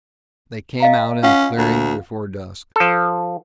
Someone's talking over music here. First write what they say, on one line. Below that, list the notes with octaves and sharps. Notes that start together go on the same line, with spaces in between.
They came out in a clearing, before dusk.
D#5 F5 A#5
C#4 F4 F5 F#5
D2
F3 A4